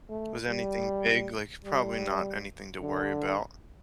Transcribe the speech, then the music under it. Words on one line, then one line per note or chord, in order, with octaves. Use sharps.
Was anything big like, probably not anything to worry about.
A3
G3
G3
D3